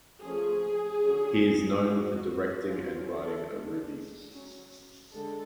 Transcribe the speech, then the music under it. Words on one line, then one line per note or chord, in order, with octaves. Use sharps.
He is known for directing and writing "Aruvi".
F3 A3 C#4 G#4
D3 F#3 C#4
F#3 C#4 F#4
F#3 C#4 F4
A4
G#3 D4
F#3 C#4
D3 G#3 A4